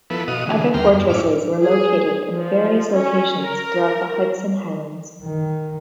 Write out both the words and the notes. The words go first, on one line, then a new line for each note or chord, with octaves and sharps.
Other fortresses were located in various locations throughout the Hudson Highlands.
F3 B3 E4 A4 B4
B2 F#4 D#5 F5 D#6
D3 E3 G#3
D#2 G3 G5 A#5 C6 F6
F#2 G3
A2 C#4 E4 D6 F6
G#4
F3
C#4
A#4
D#3